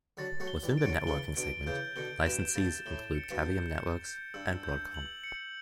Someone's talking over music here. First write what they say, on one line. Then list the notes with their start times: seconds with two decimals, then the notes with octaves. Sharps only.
Within the networking segment, licensees include Cavium Networks and Broadcom.
0.17 D3 F#3 A6
0.40 F#3 A3
0.48 G7
0.63 E3 G3
0.78 D7
0.85 D3 F#3
1.07 C#3 E3 G7
1.37 B2 D3 D7
1.67 C#3 E3 G6
1.96 B2 D3 G7
2.26 G2 B2 E7
2.56 G2 B2 A6
2.86 A2 G7
3.15 C#7
3.31 G2 B2
3.45 G6
3.75 C#7
4.05 G6
4.34 G2 E6
4.64 G6
4.94 F#7
5.24 C#7